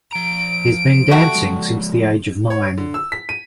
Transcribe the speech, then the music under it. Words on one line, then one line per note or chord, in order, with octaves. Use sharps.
He has been dancing since the age of nine.
F3 A#5 D7
G3 A3 F#4
F3 G#3
C#5
D3
E6
B6
D#7